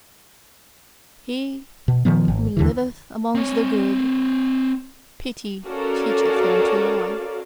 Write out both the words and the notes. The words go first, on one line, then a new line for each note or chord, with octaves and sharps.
He who liveth amongst the good--pity teacheth him to lie.
B2
A#2 D#3 F3 B3
G#1
D#2 D3 E3
C4 C#5
C#4 F#4 A4 A#4 D5 F5